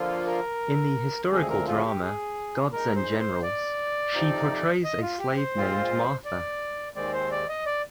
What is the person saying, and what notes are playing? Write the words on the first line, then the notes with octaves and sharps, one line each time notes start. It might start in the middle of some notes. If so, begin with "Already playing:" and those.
In the historical drama "Gods and Generals", she portrays a slave named Martha.
Already playing: D3 F3 A#3 F4
A#4
D2 D3 F3 G#3 C4 G#4
A#4
F4
G#4
G4
G#4
A#2 G#3 D#4 A#4
C5
C5
D5
F2 C3 F3 C4 D#4
D#5
F4
G4
C5
A#2 G#3 C4 F4
D5
D#2 D#3 G#3 C4 D5
C5
D5
D#5
D5